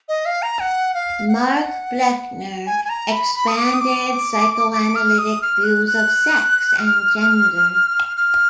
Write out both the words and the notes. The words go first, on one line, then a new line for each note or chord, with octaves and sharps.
Mark Blechner expanded psychoanalytic views of sex and gender.
D#5
F5
A#5
F#5
F5
F#5
G#5
G#5
A#5
B5
B5
D#6
D6
D#6
D6
D6
F6
D#6
F6
F#6
F#6
F6
F6